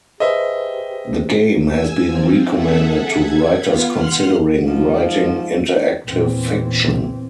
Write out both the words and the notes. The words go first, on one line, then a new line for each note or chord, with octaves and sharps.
The game has been recommended to writers considering writing interactive fiction.
G4 G#4 B4 C5 D#5 E5
G#5 E6
F3 C4
G#4 A4 E5 F#5
G#6
B3 F4
F#5 C6 F6 F#6
G#2 F3
E2 A#2 E3 C4